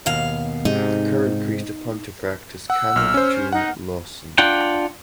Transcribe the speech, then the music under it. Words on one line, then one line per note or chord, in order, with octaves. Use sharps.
The current Priest of Pontefract is Canon June Lawson.
D#2 B2 F5
G#2 C3 D#4
F#5 E6
B1 F6
C#4 C5
D#4 F#5
D4 F4 F#5 G5